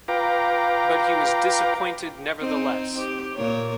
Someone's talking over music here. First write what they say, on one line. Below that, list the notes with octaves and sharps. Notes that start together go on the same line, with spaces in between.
But he was disappointed nevertheless.
F4 B4 F5 G5 A#5 D6
C4 D#4
G4
A#2 A#4 C#5